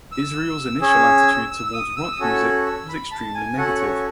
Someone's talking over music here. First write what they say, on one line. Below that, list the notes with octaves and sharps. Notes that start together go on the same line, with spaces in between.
Israel's initial attitude toward rock music was extremely negative.
E6
C#4 G#4 E6
E6
E6
D#6
E6
D#6
C#4 F#4 A4 E6
E6
B5
A5
G#5
C#4 F#4 A4 F#5
C#5